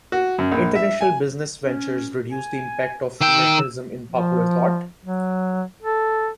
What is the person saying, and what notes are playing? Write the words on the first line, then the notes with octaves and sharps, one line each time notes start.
International business ventures reduced the impact of nationalism in popular thought.
F#4
F#2
A#1
E5
G#5
C#4
G#5
D#3 G5 E6
F3
F#3
A4